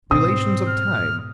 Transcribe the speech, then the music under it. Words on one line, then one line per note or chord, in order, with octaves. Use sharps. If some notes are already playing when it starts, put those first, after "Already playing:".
Relations of Time.
G#2 B2 C4 D#6
F6